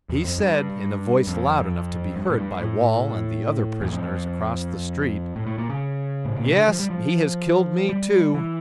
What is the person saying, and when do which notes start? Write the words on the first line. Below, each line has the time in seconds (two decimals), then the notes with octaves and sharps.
He said, in a voice loud enough to be heard by Wall and the other prisoners across the street: "Yes, he has killed me, too!"
0.09 E2
0.24 F2
0.38 G2
1.27 F2
2.16 G2
2.30 A2
2.37 G2
2.60 A2
3.82 E2
3.92 F2
5.36 A2
5.46 A2
5.58 A#2
5.69 C#3
6.25 A2
6.36 A#2
6.46 C#3
6.57 D3
6.68 F3
6.80 G3
6.90 F3
7.89 G3
8.34 E3